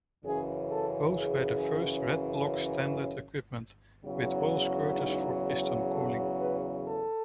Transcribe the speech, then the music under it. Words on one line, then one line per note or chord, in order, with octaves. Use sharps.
Both were the first redblocks standard equipped with oil squirters for piston cooling.
F#2 C#3 E3 G#4
A4
G#4
E2 C#3 F#3
D#4
A4
B4
A4